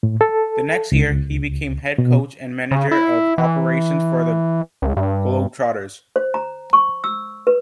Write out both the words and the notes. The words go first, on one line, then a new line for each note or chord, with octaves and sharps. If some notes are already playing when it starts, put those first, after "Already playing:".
The next year, he became head coach and manager of operations for the Globetrotters.
A2
A4
C#2
B2
C#3
E4
E3
C#2
G2
C5
A#5
C#6
E6
B4